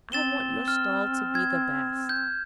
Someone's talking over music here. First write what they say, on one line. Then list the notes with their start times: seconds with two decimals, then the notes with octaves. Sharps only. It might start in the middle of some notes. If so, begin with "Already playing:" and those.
'I want your stall to be the best.'
0.12 C4 A6 E7 G7
0.68 F6
1.35 G#6
2.09 G6